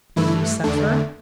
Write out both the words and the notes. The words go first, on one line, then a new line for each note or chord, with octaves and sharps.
Did he suffer?
G2 E3 A3 E4
E2 D3 A3 D4